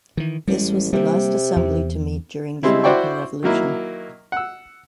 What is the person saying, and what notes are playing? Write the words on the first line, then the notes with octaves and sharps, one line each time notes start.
This was the last assembly to meet during the American Revolution.
D#3 E3
A1 G3 G#3
C3 G3 A#3
E2
G3 G#3 C4 E4
E4 F#4 C5 D5 G5 C#6
D#3 F#3 A#3 E4
F#5 E6